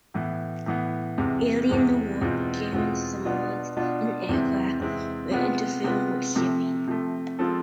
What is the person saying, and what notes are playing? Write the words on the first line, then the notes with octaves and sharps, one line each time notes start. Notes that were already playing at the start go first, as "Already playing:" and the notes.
Early in the war, German submarines and aircraft were interfering with shipping.
A2 E3 B3
A2 E3 B3
E2 C3 G#3
E2 C3 G#3
E2 B2 G#3 C4 F4
E2 B2 G#3 C4 F4
B2 B3 D4 F4
B2 B3 D4 F4
E2 C3 G#3 C4 E4
E2 C3 G#3 C4 E4
C3 G#3 B3 F4 B4
C3 G#3 B3 F4 B4
C3 F3 A3
C3 F3 A3
F3 G#3 C4 F4 A4